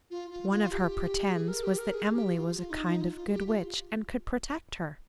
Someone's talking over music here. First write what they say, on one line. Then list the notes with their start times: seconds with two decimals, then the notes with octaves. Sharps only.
One of her "pretends" was that Emily was a kind of good witch and could protect her.
0.11 F4
0.31 F4
0.50 F4
0.72 G4
1.33 G#4
1.48 A#4
1.63 G4
1.78 A#4
1.94 G#4
2.15 G4
2.34 F4
2.56 F4
2.70 D#4
2.86 D#4
3.01 F4
3.16 F4
3.31 G4
3.47 F4